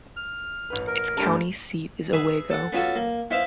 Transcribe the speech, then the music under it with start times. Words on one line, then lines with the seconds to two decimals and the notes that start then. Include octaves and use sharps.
Its county seat is Owego.
0.16 F6
0.70 A1 B4
0.87 A#4
1.18 G2 G3 A3
2.13 G#4 B4 E5
2.51 A4 F#5
2.72 B3 C#4 F4 F#4 A4
2.96 A#3
3.31 B3 E4 C5 E5 F5